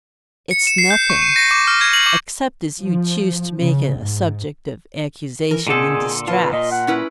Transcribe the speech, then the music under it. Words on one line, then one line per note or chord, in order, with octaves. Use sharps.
It's nothing--except as you choose to make it a subject of accusation and distress.'
C#7
E7
C7
G6
C#6
D#7
A#6
D6
F6
G#6
F#7
D6
F3
C#3
G#2
E3 A#4
A#2 D3 C4 G#4 A4 D#5
F4 B4 A5
A#2 D#5
F#5
C#4 E4 B4